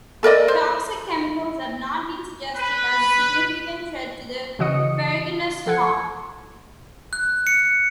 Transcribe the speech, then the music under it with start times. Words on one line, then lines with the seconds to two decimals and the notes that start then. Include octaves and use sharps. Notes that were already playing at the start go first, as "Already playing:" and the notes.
Toxic chemicals have not been suggested as a significant threat to the ferruginous hawk.
0.23 A4 A#4 D5 D#5
0.48 C5
2.55 B4
4.59 C#3 E3 F#4 D#5 D#6 C#7
5.66 F3 A4 F#5 G#6 C#7
7.13 F#6
7.47 C#7